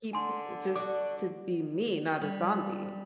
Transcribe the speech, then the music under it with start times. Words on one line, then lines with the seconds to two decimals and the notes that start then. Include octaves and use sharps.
keep just to be me, not a zombie.
0.13 D3 G#5 C6
0.76 D4 F#4 D6
2.22 G3